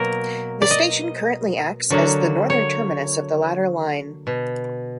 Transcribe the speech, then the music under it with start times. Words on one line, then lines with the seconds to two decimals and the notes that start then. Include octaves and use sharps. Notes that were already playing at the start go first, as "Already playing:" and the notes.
The station currently acts as the northern terminus of the latter line.
Already playing: B2 F#3 A#3 A#4
0.62 D5
0.71 D#5
1.90 D3 F#3 A#3
2.50 C#5
4.27 B2